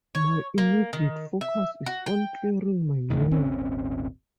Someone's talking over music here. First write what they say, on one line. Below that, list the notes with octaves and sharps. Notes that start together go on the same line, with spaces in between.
My immediate focus is on clearing my name.
C#5
A#3
D#3
E5
F#4
G5
D1 E2 A2 D#3
D#1 G#1 C4 C#4